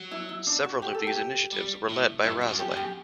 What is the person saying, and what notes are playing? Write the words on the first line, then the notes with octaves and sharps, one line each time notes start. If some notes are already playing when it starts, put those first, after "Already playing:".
Several of these initiatives were led by Razaleigh.
Already playing: F#3
E4
E4
D4
F#4
G4
A4
G4
G3
A2
G2 E4
F#4
F#2
G4
F#2
G4